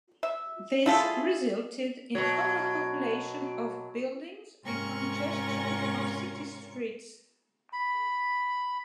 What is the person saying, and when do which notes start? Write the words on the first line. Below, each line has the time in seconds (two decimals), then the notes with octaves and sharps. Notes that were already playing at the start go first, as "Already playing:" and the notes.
This resulted in overpopulation of the buildings, and congestion of city streets.
0.23 E5
0.86 G3 A3 E4 F4 G#4 A4
2.15 B2 F#3
4.65 G#2 C3 C#4 F4 A#4 C#6
7.73 B5